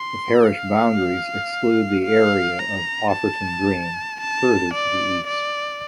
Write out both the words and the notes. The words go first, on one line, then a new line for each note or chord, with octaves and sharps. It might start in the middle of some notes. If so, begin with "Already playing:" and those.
The parish boundaries exclude the area of Offerton Green, further to the east.
Already playing: C6
F5
F5
A#5
A5
A5
D5
D5